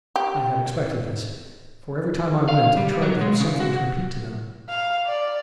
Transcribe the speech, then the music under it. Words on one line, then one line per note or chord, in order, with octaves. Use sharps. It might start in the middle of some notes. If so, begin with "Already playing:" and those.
I had expected this; for, every time I went, I tried to have something to repeat to them.
G4
F5
G3
F#3
G#3
C#3
F#4
F5
D5